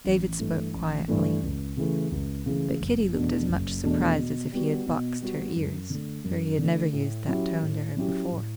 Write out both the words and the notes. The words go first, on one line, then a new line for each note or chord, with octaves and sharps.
David spoke quietly; but Kitty looked as much surprised as if he had boxed her ears, for he had never used that tone to her before.
A1
G2 E3 A3
A1
G2 E3 A3
C#2
C#3 E3 A3
C#2
C#3 E3 A3
F#1
E2 B2 A3 D4
F#1
E2 B2 A3 D4
B2
G3 B3 F#4
B2
G3 B3 F#4
F#2
D3 A3
F#2
D3
A3
A2
F#3 C#4 E4 G4
A2
F#3 C#4 E4 G4
A2